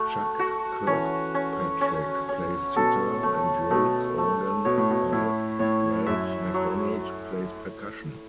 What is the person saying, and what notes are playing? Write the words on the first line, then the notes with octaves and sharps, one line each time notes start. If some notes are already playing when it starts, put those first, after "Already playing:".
Chuck Kirkpatrick plays sitar and rhodes organ while Ralph McDonald plays percussion.
Already playing: A3 F#4
F#4
E3 C#4
C#4
C#4
C#4
B2 A4
A3
B2 A3
A3
B2 C#5
A2
B2
A2 E4
A2 C#5
F#2 E5
F#3